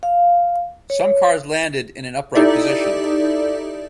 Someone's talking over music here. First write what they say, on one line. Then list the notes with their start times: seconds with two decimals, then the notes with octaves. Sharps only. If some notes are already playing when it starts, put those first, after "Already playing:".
Some cars landed in an upright position.
0.03 F5
0.90 C#5
2.35 D#4 E4 G4 A4 D5 E5